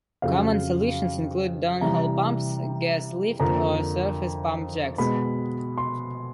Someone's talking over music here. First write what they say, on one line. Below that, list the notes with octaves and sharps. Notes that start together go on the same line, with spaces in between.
Common solutions include downhole pumps, gas lift, or surface pump jacks.
F2 C#3 F#3 F5
C3 E3 G3 A#5
F2 D3 F3 A#3 A#5
B2 G#3 B3 B5
C6